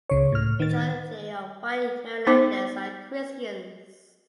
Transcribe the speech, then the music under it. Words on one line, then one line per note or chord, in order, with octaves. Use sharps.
The majority of white Marylanders are Christians.
C#2 C#3 C#5
A2 F6
D#3 A6
B3 D#4 C5 D6